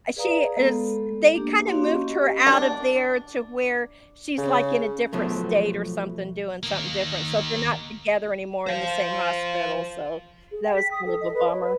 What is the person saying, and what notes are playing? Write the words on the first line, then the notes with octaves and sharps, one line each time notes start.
she is they kinda moved her out of there to where she's, like, in a different state or something doing something different. So they're not together anymore in the same hospital. So that was kind of a bummer.
G#4 B4 D5 F5 A#5 D#6
G#3 B3 A4
A#3 D4 G4
A#3 E4 F#4 C#5 F5 C6
C#4 G4 D#5
D4
C#3
B2 F3 F#3 A3
D#3 A#3
C5 F5
G#4
G5
B6
D#6
A4
D#5
B4
C#5
B4